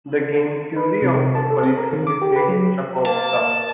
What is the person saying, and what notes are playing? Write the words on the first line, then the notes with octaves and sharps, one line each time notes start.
The game Fury of the Furries can be played in Chakobsa.
B4
C3
A5
A4
C4
A#4
D#3
D6
G4
B4
F#3
A#3 A5